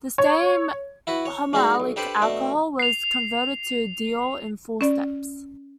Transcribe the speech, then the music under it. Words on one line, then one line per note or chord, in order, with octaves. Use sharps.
The same homoallylic alcohol was converted to diol in four steps.
C#5
E4 F#4 B4
C#5
G#3 B3 D4 D#4 F#4 G#4
B1
D4 G4 A4 B4 C5 D5
B2 A3 D4
C7 F7
C#4 D5